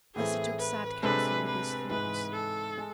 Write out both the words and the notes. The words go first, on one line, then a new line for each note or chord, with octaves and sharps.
Thus he took sad council with his thoughts.
A2 E3 A3 C4 G#4
B4
C3 G#3 D4 A4 B4 C5
B4
G#2 E3 G#3 B4
A4
G#3